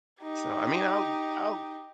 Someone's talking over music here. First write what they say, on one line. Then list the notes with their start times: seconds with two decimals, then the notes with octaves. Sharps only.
so, I mean, I'll I'll
0.23 D#4 G4